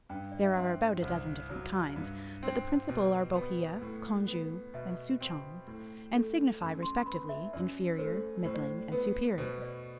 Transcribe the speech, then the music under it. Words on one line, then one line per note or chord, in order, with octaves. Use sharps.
There are about a dozen different kinds; but the principal are Bohea, Congou, and Souchong, and signify, respectively, inferior, middling, and superior.
G2 G5
D5
E5
C4 F#5
C2 C5
F#3
G2
C4
B2
B3
A2
B3
B2 E5
C4
A2
A3
F#2
C6
B3 B5
E5
F#2 D5
A3 C5
A2 C5
D5
C5
B3 B4
B2 C5
D5